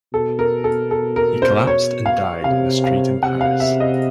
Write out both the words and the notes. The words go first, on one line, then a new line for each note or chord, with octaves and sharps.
He collapsed and died in a street in Paris.
B2 A4
A#4
A4
A4
A#4
C5
C#5
F5
C3 F5
F5
C3 F#5
F5
E5
D#5